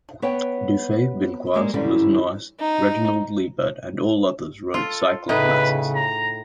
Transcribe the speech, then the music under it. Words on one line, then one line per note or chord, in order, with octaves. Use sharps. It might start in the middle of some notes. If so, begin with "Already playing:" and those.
Dufay, Binchois, Busnois, Reginald Liebert and others all wrote cyclic masses.
B3 B4 C#5 F#5 G5
G3 G#3 A#3
G#2 D3 E3 G3 C#4 D#4
D#4
F4 A4
A2 C#3 D#4 B4
A#5